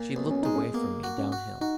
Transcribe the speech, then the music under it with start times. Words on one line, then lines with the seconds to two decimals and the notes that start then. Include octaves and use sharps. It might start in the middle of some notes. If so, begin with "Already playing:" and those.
She looked away from me downhill.
Already playing: A#2
0.16 B1
0.31 C#4
0.43 G#3 D#4
0.55 C#4
0.74 A#3 B3
1.03 F#4
1.18 C#4
1.32 F#4
1.61 D#4 F#4